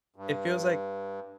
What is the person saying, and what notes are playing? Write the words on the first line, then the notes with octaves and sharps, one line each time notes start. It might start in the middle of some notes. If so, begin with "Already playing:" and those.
It feels like
G2